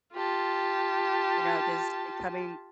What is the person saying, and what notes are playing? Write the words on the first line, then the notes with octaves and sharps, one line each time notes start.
you know just becoming
F4 G4 A5